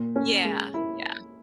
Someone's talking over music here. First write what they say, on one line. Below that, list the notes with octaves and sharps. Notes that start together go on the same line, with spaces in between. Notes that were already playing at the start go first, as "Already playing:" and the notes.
Yeah. Yeah.
Already playing: A#2
C#4
G#3
E4